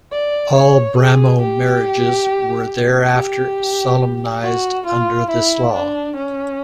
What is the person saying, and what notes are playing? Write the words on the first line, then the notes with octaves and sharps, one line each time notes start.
All Brahmo marriages were thereafter solemnised under this law.
D5
C#5
G#4
G4
G4
F#4
F4
E4
D4
C#4